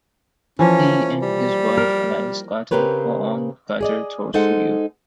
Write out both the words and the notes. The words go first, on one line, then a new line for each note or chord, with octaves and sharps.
He and his wife Alice Carter co-own Carter Thor Studio.
E3 F3 A#3 C#4
G3
A#4
C#3 C4 G4 A#4 B4 C#5
G#4 D5 D#5
G#3 D#4 A4 C5 F#5